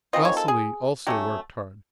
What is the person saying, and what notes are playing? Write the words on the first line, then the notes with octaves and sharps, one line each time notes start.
Vasily also worked hard.
D#3 G#3 C4 F4 D#5
C#5
A4
G#4
F#3 A3 C#4 G4